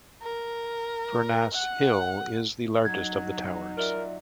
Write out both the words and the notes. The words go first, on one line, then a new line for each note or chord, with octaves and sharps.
Furnas Hill is the largest of the towers.
A#4
F#5
F#3 D#4 G#6
F4 A#4 D5 E5